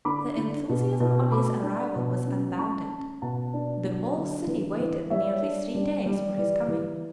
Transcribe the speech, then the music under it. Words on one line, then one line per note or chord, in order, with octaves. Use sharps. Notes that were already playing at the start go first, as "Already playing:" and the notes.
The enthusiasm on his arrival was unbounded. The whole city waited nearly three days for his coming.
D3 B5 D6
D3
B2
B2
A3 B5 D6
D4
B2
C#4
C#4 A5 C#6
C#4
B2 F#5 A5
D4
F#3
D3
E3
E3
G3 C#5 E5
D4
G3
G3
E3 D5
E3